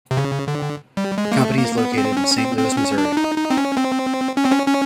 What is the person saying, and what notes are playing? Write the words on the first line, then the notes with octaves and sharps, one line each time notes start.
The company is located in Saint Louis, Missouri.
C3
C#3
D3
G3
G#3
A#3
A3
A#3
B3
C4
C#4
C4
C4
C#4
D4
D#4
D#4
C4
C#4
C4
C#4
C4
C#4
C#4